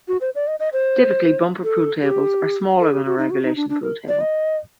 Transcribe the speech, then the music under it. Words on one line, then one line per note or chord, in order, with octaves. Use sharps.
Typically bumper pool tables are smaller than a regulation pool table.
F#4
C5
D5
D#5
D#5
C5
A4
G4
A4
G4
F#4
D#4
F#4
D#4
D4
D4
A#4
D5
D#5